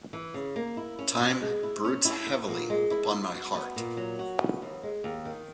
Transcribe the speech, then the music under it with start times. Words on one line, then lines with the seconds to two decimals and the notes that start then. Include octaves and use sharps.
Time broods heavily upon my heart.
0.13 E3
0.34 C#3
0.56 A#3
0.77 E4
0.99 C#4
1.20 B2
1.41 G#3
1.63 E4
1.84 C#4
2.05 E4
2.27 B3
2.48 A#2
2.70 G#3
2.91 E4
3.12 B3
3.34 F#4
3.55 B3
3.76 A#2
3.97 F#3
4.19 F#4
4.40 B3
4.62 D#2
4.83 G#3
5.04 D#2
5.25 D#3